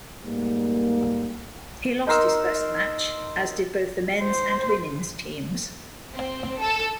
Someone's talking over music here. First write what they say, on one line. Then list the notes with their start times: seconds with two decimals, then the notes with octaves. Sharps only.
He lost his first match, as did both the men's and women's teams.
0.24 G#2 G3 A3 A#3
2.07 D#4 A#4 C6 E6
4.22 C5
6.15 C4
6.60 A4